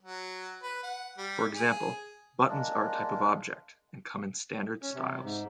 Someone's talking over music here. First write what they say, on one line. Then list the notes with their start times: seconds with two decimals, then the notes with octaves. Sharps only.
For example, buttons are a type of object, and come in standard styles.
0.02 F#3
0.62 B4
0.83 F#5
1.18 G3
1.55 G#4
2.49 G#3 A#3 D4
4.82 C#4
4.94 C3
5.24 G#2